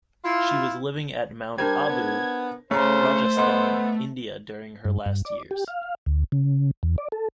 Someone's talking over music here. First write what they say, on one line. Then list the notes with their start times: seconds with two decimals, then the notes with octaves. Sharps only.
She was living at Mount Abu, Rajasthan, India during her last years.
0.24 E4 F4
1.58 G3 D4 A#4 C5 G#6
1.89 B3
2.71 C#3 A3 C5 C#5 A#5
3.37 B3 D#5 C6
4.85 G2
5.06 G2
5.25 D5
5.51 G4
5.68 F5
6.06 D2
6.32 C#3
6.83 E2
6.98 D5
7.12 A4